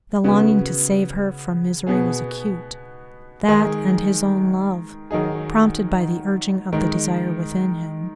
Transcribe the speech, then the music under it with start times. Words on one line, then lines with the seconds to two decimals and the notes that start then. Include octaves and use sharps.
The longing to save her from misery was acute, that, and his own love, prompted by the urging of the desire within him.
0.24 C#3 B3 F#4
1.87 B2 B3 G#4
3.48 D#3 G#3 D#4 G#4
5.11 D#3 F#3 D#4 G#4
6.73 D#3 G#3 D#4